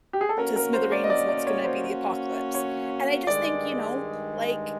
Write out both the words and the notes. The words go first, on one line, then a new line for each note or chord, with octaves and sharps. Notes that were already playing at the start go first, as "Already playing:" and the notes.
to smithereens, and it's gonna be the apocalypse. And I just think, you know, like,
G4
G#4
A4
A#3 C#4 F#4 A#4
A#4
C5
D5
D#5
D5
D5
C#5
C5
C#5
G2 D#3 G#3 D5